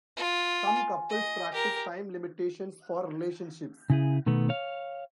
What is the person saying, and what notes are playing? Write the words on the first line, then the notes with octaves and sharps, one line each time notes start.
Some couples practice time limitations for relationships.
F4
G#5
D#5
G4 A#4
C#3 E4 G#4
B2 D#3 A3 B3
C#5 F5